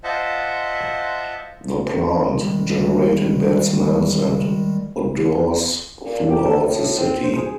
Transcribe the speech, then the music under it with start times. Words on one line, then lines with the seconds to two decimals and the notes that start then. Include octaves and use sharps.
The plant generated bad smells and odours throughout the city.
0.04 F4 C5 D#5 E5 F#5 A5
2.41 D#3 G3 G#3
6.06 A#2
6.30 G4
6.45 A4
6.66 A2
6.98 C4
7.24 C5
7.37 G#4